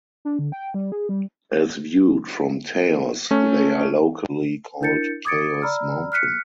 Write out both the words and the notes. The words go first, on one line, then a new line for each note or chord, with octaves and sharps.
As viewed from Taos, they are locally called Taos Mountain.
D4
D3
G5
G3
G#4
G3
A3 C#4
D4 E4 A#4 G6 A6 C#7
D6 D#6 G#6 A6 C#7 D7
D5 A#5 B5 E6 F6
F6 F#6 B6 C#7